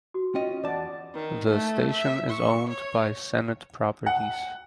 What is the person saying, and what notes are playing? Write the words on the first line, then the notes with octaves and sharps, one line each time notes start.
The station is owned by Senate Properties.
F#4
C#4 F4 D#5 G5
E2 D5 F#5 A5
D#3
A3
E5
C#6
C#5
F#5